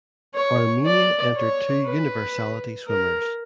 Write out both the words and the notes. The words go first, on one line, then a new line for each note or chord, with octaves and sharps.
Armenia entered two universality swimmers.
C#5
D5
C#5
B4
A#4